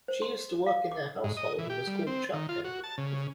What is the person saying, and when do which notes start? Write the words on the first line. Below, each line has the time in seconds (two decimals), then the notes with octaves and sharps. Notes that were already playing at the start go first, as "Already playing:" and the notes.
She used to work in their household and was called Chapko.
0.08 C5
0.22 C6
0.66 F5
0.92 D6
1.24 G#2
1.37 D#5
1.59 E3
1.70 G4
1.87 G3
2.07 C4
2.33 D#3
2.49 F4
2.65 F#4
2.84 A5
2.98 C#3